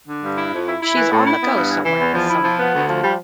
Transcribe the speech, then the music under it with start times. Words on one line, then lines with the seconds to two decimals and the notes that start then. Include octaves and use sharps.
She's on the go somewhere, with some one.
0.08 D3
0.23 G2
0.38 E4
0.53 F2
0.68 E4
0.82 E4
0.96 E3
1.11 A2
1.26 E4
1.41 B3
1.55 G2
1.70 E3
1.85 E3
2.00 E2
2.14 F3
2.29 E4
2.44 F3
2.59 B3
2.74 D2
2.88 F3
3.03 G3